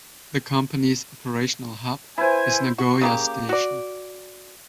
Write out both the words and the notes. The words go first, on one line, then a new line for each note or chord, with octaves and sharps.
The company's operational hub is Nagoya Station.
E4 B4 C5 G#5
F#4
C#3 A#3 G4
F#4 D5